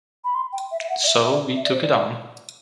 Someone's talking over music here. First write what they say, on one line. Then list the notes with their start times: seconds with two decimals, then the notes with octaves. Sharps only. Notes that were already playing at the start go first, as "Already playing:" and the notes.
So we took it on.
0.24 B5
0.35 C6
0.53 G5
0.71 E5
0.82 E5
0.90 F#5
1.04 D5
1.07 E5
1.24 E5
1.32 D5
1.56 E5
1.65 D5
1.72 C5
1.82 D5